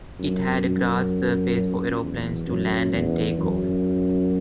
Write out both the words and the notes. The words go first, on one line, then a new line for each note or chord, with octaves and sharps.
It had a grass surface for aeroplanes to land and take off.
F#2
F#2
E2
F#2
E2
F#2